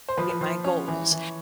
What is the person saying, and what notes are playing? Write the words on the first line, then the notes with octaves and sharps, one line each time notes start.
my goals.
C5
F3 B4
B4
F3 C5
C#4 C#5
E3
E3